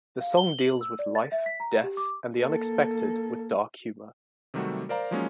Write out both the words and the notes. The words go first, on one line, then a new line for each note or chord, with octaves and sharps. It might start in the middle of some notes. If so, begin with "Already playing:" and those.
The song deals with life, death and the unexpected with dark humor.
F5
G7
F#7
E6
D5
A6
E5
B6
A#5
G4
D6
A#3 A4
C3 D#3 F#3 G3 A3 F#4
A#4 C5 D5 F5 A#5
F3 F#3 G#3 A#3 C#4 D#4